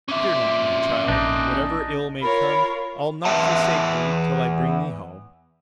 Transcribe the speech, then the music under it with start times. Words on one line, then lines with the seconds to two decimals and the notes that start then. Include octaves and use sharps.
"Fear not, my child; whatever ill may come I'll not forsake thee till I bring thee home."
0.08 F2 A#2 C#4 E5
1.08 A#1 D4 D#4
2.21 F4 A#4 C#5 B5
3.25 E2 B3 B4 E5 A5